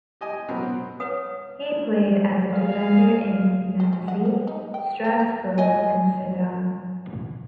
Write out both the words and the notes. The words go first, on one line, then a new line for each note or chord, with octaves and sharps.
He played as a defender in Nancy, Strasbourg and Sedan.
G4 D#5 G#5 D#6
B2 F#3 B3 C4 A#4
B4 C#5 F#5 D#6
G#4 F5
C5
C#4
F#5
G3
D#4
G5
C4
A#5
D#5 G#5